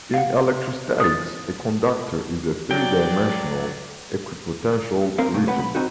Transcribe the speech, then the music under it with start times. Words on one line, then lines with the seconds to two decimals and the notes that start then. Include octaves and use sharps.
In electrostatics a conductor is a three-dimensional equipotential region.
0.14 F5 F#5
1.00 D#6 A6
2.71 F#3 D4 D5 G5
5.18 C4 A#4 F5
5.34 C3 A3
5.47 A2 B4 F#5
5.60 B5
5.75 C4 D#4 F#4